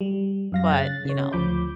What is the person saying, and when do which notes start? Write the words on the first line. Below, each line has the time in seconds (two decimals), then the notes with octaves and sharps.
but, you know
0.01 G3
0.52 F#2 F5 A#6
0.72 C#3 C#4 F#6 A6
1.05 C#3 C#5
1.33 D2 F3 B5 D6 G6